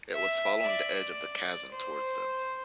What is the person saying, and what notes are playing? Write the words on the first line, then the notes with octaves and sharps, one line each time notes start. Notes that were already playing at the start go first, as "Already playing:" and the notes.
It was following the edge of the chasm towards them.
E5
D5
C5